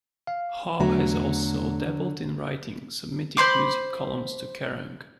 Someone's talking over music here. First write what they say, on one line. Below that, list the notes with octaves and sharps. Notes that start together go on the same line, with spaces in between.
Haug has also dabbled in writing, submitting music columns to Kerrang!
F5
E2 D3 F#3 A3 A#5
C5 B5 C6 D6